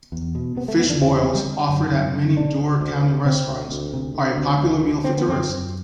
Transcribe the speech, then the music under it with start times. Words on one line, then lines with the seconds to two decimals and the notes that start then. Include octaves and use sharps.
Fish boils, offered at many Door County restaurants, are a popular meal for tourists.
0.12 E2
0.35 B2
0.56 C3 B3
0.68 A3
0.79 E2 B3
0.90 D4
1.02 E2 C4
1.12 D4
1.23 C3 C4
1.35 G3
1.47 D3
1.69 F#2
1.92 F#2
2.13 D3
2.37 D3 D4
2.59 D2
2.81 D2
3.03 D3
3.25 C3 C4
3.48 D2
3.71 D2
3.93 C3
4.15 D3
4.38 D2
4.60 D2
4.83 D3
5.04 D3 C4
5.17 B3
5.28 F#2 C4
5.49 F#2